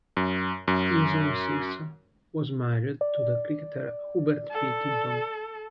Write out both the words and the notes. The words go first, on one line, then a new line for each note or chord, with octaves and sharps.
His own sister was married to the cricketer Hubert Pilkington.
F#2
F#2
D5
A4